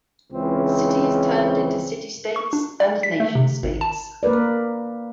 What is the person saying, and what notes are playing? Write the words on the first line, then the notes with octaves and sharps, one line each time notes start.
Cities turned into city-states and nation-states.
C#2 C#3 E3 C4
C#6
D4
D5
B6
A3
C3
G#1
A5
A#3 A#4 B4 D5